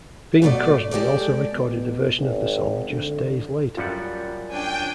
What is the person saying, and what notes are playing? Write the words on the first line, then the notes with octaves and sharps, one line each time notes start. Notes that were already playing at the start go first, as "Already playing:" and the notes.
Bing Crosby also recorded a version of the song just days later.
F#2 B2 A3 A#4 D5
G#3 G4 A4 D5
B2
G#1
D3
F#2 G3 F4 D5 F#5 A6
C#4 D4 G5 G#5